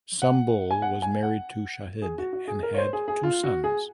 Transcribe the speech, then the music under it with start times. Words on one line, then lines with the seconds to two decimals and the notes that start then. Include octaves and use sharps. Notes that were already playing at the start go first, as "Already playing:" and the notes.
Sumbul was married to Shahid and had two sons.
0.22 F#5
0.71 G#5
0.82 F#5
1.02 G#5
1.23 F#5
2.02 G#4
2.18 F#4
2.33 F#4
2.48 G#4
2.63 A#4
2.74 C#5
2.78 C5
2.93 G#4
3.08 G#4
3.23 F4
3.43 F#4
3.64 G#4